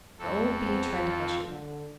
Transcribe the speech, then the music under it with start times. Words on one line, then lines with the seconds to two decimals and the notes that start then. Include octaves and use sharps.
The old Bee tried to hush her.
0.19 F2 A4
0.62 B3 C4 G#4
0.97 F4
1.48 D3